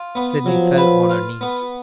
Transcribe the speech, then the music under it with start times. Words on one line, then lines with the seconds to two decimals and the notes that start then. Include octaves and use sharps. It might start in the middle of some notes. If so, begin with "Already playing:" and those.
Sydney fell on her knees.
Already playing: F4
0.15 B3
0.46 F3 F#3
0.78 B4
1.09 F4
1.41 B3